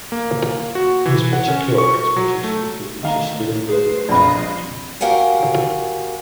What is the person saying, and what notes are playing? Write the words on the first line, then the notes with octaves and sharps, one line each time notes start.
He has particular expertise in the field of sustainable water management.
A#3
F#4
E3
F#5
C#4
C#6
F#3
A3
D3 D#3 A3 F5 A#5
A3 G#4 B4 C5
A#1 F2 F4 D5 D#5 B5
F#4 G4 A#4 F5 F#5 G#5